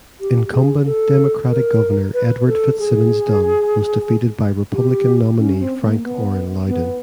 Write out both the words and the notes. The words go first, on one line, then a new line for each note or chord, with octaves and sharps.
Incumbent Democratic Governor Edward Fitzsimmons Dunne was defeated by Republican nominee Frank Orren Lowden.
G4
G#4
A4
A#4
B4
A4
G#4
G4
C#4
C4
A#3
B3
B3